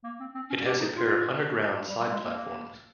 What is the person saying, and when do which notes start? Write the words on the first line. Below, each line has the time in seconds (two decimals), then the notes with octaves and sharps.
It has a pair of underground side platforms.
0.04 A#3
0.20 C4
0.35 C4
0.50 C#4
0.66 G4
0.80 D#4
0.97 F4
1.89 G3
2.00 G3
2.12 G#3
2.23 A#3